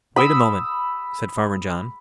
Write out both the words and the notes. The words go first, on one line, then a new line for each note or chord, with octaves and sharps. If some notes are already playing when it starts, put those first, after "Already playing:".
"Wait a moment," said Farmer John.
B5 D#6 E6